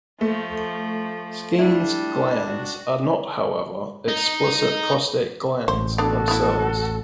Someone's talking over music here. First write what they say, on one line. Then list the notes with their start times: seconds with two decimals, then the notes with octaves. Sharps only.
Skene's glands are not, however, explicit prostate glands themselves.
0.21 F3 A3
1.59 G3 D4 E4
2.46 F#4
4.08 D#4
5.68 A1 C5
5.98 B3 D4 F#4 A4
6.28 B3 E4